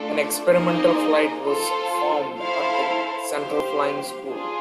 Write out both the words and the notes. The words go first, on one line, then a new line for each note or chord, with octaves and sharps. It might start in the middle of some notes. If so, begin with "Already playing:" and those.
An "Experimental Flight" was formed at the Central Flying School.
Already playing: A3 D4 F4 A4 D5
A#3 D#4 G#4 C5 D#5
F4 A4 C5
E4 A4 C5 F5
G4 C5 F5
D4 F4 G#4